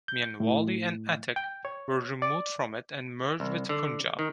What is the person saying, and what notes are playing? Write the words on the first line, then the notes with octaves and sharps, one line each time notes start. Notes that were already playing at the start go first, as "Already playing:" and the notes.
Mianwali and Attock were removed from it and merged with Punjab.
G6
A2
G5
C#5
D5
C2
D3
D#3